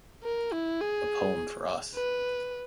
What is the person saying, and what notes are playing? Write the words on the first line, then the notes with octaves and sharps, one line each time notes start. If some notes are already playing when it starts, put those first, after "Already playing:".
A poem for us.
A#4
E4
G#4
B4